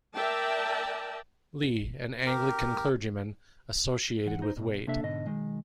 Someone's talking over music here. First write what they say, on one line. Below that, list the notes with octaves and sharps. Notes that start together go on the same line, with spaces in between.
Lee, an Anglican clergyman, associated with Waite.
A#4 D5 E5 G5 A5
G4 A#4
E3 F#5
D#4 C5
G2 B2
C3 A#3 D4 A4 E5
G#2 B2 D3 D#5
B1 G#2 D#3 G#3